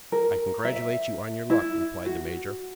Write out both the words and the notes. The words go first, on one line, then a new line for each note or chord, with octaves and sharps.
"I congratulate you on your luck," replied the major.
A#4
E5
E4
F#4